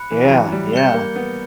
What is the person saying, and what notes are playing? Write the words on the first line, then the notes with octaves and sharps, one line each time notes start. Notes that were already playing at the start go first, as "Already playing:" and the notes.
Yeah, yeah,
Already playing: B5 F#6 C#7
E3
F#3
E3
G3
G3 G6 C#7 G7
A#3
B3